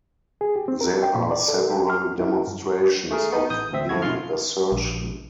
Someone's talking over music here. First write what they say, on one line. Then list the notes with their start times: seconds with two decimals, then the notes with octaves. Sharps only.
There are several demonstrations of the assertion.
0.41 G#4
0.56 G4
0.68 C4
0.81 A#4
1.03 G5
1.15 A#2
1.31 D5
1.48 A4
1.70 G4
1.90 F6
2.20 E4
2.47 G2
3.11 A3 G#4 A#4
3.32 B3 D#4
3.50 A1 D#6 G6
3.72 D2 C4 E5
3.89 F#2 F3 A3 E4 F#4 G#6
4.02 B1 F#2 F4 C6 F6
4.72 A#1